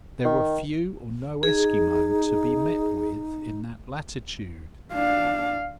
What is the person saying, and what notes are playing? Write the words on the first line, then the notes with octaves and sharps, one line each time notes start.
There were few or no Esquimaux to be met with in that latitude.
D#3
D#4 G#4
D4 F5